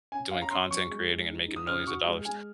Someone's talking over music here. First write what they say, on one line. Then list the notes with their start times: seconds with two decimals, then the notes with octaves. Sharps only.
doing content creating and making millions of dollars;
0.12 C#4 G#5
0.31 C#4 F5
0.42 A#5
0.51 C#4 C6
0.70 F#3 C#6
0.90 G#3
1.09 G#3
1.29 D#4
1.48 D#4
1.56 D#6
1.67 C#3 F6
1.80 D#6
1.86 F#4 C#6
2.06 G#3
2.25 G#3 G#5